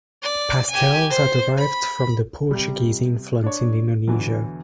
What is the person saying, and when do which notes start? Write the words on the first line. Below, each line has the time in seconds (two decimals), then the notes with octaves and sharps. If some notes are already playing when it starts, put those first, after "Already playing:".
Pastels are derived from the Portuguese influence in Indonesia.
0.23 D5
0.71 G4 G#5
1.10 C5
1.58 B5
2.51 C3 G3
3.44 D4 C#5
4.08 E2 B2 D3 E3 F#3